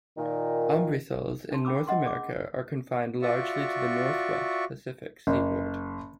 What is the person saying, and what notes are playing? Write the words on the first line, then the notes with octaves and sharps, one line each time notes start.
Umbrisols in North America are confined largely to the northwest Pacific seaboard.
A#2 D#3
D4 A5 C6
C#4 B5 D6 E6
D#5 F#5 C6
G#4 D6
F4 F#4 D5 E5 C#6
F#1